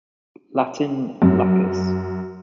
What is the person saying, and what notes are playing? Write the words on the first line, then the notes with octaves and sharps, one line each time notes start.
Latin "lacus".
F#2